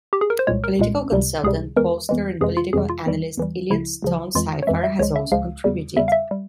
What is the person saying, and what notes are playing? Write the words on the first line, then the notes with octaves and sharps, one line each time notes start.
Political consultant, pollster, and political analyst Elliott Stonecipher has also contributed.
G4
G#4
A#4
C5
C2 A#2 G#3 C#5
A#4
C2 A#2 G#3
C#2 C3 G3
C#2 C3 G3 G#4
E2 E3 G#3 A#4
E2 E3 G#3
F2 C3 E3 G#3 G#4
F4
F2 C3 E3 G#3 G#4
F4
E2 E3 G3
E2 E3 G3
C#2 C#3 F3 E4
C#2 C#3 F3
F2 E3 G#3 F4
C#5
F2 E3 G#3 E5
E5
C#2 C#3 F3 G#3 C#5
E5
C#2 C#3 F3 G#3 F5
E2 C#3 G3
E2 C#3 G3 E5
F5
E5
G3